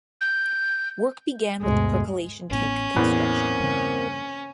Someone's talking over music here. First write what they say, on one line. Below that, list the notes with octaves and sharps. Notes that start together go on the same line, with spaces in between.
Work began with the percolation tank construction.
G6
G1 D2 B2 G#3
A1 A2 B3 C#4
E2 A2 E3 A#3 C4 B5
G2 C#3